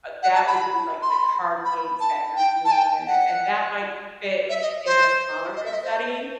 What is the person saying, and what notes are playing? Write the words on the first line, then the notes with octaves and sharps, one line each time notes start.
uh, that would be, like, the card games that you're doing, and and and that might fit in a smaller group setting.
F#5
A5
B5
C6
B5
C6
B5
A5
G5
A5
G5
F#5
E5
D#5
C5
D#5
E5
D#5
C5